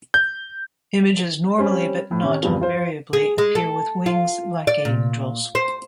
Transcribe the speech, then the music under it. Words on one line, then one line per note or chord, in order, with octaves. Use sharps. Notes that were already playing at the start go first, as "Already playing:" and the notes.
Images normally, but not invariably, appear with wings like angels.
G6
G3 C4 C#4
A2
C3 D#3 C#4
E2 G2 C3 F3 G3
F4 C5
G#4
G#3
A4
F4
D5
A#2
C5